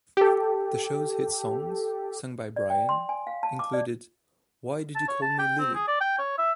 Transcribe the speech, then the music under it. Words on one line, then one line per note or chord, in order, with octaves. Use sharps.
The show's hit songs, sung by Bryan, included Why Did You Call Me Lily?
G4 A4
D5
G5
C6
G#5
F5
A5
D6
D5
A5
C#5
A5
G5
C4
G#4
D5
G5
C#5
E5